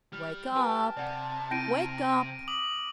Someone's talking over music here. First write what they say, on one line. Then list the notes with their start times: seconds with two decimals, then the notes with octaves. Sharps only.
"Wake up! Wake up!"
0.13 G3 F6
0.56 G4 B4 G#5 A5
0.97 C3 D5 F#5
1.51 C4 E4 A#6 D7 D#7
2.48 D6 D#6 F#7